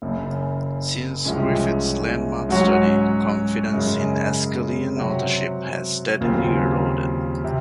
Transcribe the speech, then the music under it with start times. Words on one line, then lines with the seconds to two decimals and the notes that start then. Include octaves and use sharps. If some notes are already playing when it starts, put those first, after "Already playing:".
Since Griffith's landmark study, confidence in Aeschylean authorship has steadily eroded.
0.02 F#1 F#2 C#3
1.25 C2 C3 F3 G#3 C#4
2.49 G#2 F#3 C#4 F#4 C#5
3.73 F#2 C#3 G#3
4.97 C3 F#3 C4 F#4 C#5
6.21 D#2 C#3 F#3 C4 F4
7.44 C3